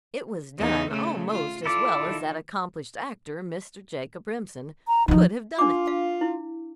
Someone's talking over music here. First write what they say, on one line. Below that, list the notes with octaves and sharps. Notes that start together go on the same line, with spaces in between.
It was done almost as well as that accomplished actor, Mr. Jacob Remsen, could have done it.
E2 D#4
C#3 A3
F4
E4 F4 A4 D5
D#3
A#5
D#3 F3 D#4
D4 F4 D6
F5
E4